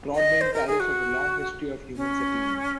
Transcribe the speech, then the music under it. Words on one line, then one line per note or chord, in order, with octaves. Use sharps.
Broadmayne parish has a long history of human settlement.
D#5
C5
A#4
G#4
F#4
C#4